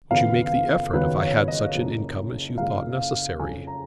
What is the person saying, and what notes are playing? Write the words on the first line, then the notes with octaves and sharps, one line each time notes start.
Would you make the effort if I had such an income as you thought necessary?
F#1 F2 D#3 F#3 B3 F5
F#1 F2 D#3 F#3 B3 B4
C#5
D#5
F#1 F#2 F3 A#3
F#1 F#2 F3 A#3 F5
F#1 F2 C#3 G#5
A#5